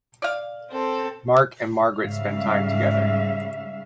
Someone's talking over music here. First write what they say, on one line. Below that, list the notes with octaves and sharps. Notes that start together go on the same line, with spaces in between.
Mark and Margaret spend time together.
D5 F5
C4 A4
G#2 C#3 G3 E5 F5